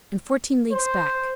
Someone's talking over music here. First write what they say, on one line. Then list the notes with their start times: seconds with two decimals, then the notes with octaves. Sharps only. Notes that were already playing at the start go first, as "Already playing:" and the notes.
"And fourteen leagues back?"
0.72 C5